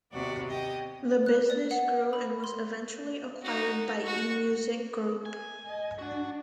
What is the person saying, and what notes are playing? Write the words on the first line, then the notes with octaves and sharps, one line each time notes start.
The business grew and was eventually acquired by eMusic Group.
D#2 C3 B3 F#4 D5
G4 D#5
F#6
D5
F#5
B5
C6
D#4 F#4
F#4 C#6
G#5
D#5
D4 F#4 F#5